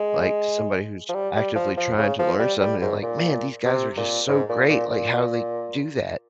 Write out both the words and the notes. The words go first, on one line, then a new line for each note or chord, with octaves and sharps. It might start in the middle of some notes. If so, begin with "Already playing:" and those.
like, to somebody who's actively trying to learn something, like, "Man, these guys are just so great, like, how do they do that?"
Already playing: G#3
F3
G3
G3
F3
F3
C#3
F3
G3
G3
G#2
A#2
C3
A#2
G#2
A#2
A#2
A#2